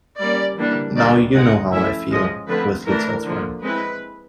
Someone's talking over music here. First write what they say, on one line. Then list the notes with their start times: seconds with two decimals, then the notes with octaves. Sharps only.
"Now you know how I feel," Wesley tells her.
0.20 G3 A#3 C#4 D5
0.57 E3 G3 A#3 D4
0.96 D#3 G3 A#3 D4 D5
1.34 G#3 C4 D#4 F#5
1.72 F3 A3 C#4 E4 E5
2.10 F3 G#3 C#4 D#5
2.48 D3 F3 A3 C4 B4
2.86 E3 A3 D4 A#4
3.24 D3 F3 A#3
3.62 G#3 C4 E4 B4